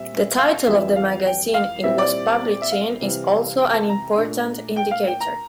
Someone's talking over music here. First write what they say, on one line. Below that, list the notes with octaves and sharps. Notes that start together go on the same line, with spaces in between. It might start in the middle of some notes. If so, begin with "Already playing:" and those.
The title of the magazine it was published in is also an important indicator.
Already playing: A#2 G3 C4 E5
F5
F2 E3 G3 E5
F5
G5
F5
A#2 G3 C4 E4 E5
D5
E5
F5
C3 E3 G3 C4 E4
G5
A5
A#5
A#2 A3 D4
G5
F5
G5
A#5